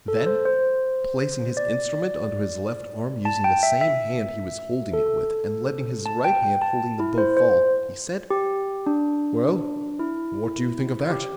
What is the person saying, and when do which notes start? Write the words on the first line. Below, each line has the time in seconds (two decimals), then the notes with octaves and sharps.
Then, placing his instrument under his left arm using the same hand he was holding it with and letting his right hand holding the bow fall, he said, "Well, what do you think of that?"
0.08 A4
0.26 C5
0.45 C5
1.57 D5
3.25 A5
3.44 G5
3.63 E5
3.81 E5
4.93 A4
6.06 A5
6.24 G5
6.44 G5
6.62 A5
6.99 E4
7.18 C5
7.37 C5
8.30 G4
8.87 D4
9.99 E4
11.11 G4